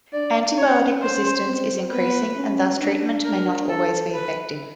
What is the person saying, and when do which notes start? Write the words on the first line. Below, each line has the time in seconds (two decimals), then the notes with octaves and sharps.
Antibiotic resistance is increasing and thus treatment may not always be effective.
0.13 D4 D5
0.57 C#4 C#5
1.02 C#4 C5
1.46 C4
1.91 B3 B4
2.36 C#4
2.81 D4
3.25 A#4
3.69 A4
4.14 B4